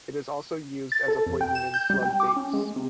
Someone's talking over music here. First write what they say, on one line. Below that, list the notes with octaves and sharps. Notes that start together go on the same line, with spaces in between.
It is also used as a poison in slug baits.
A6
A4
F2
G5
E7
G6
G3
G5
D6
C#4
G#3
C3